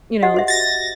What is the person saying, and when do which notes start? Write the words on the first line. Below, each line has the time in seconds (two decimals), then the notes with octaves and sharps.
You know, it's
0.23 G4 D#5 F#5
0.34 F#4 C5 E5
0.48 A6 A#6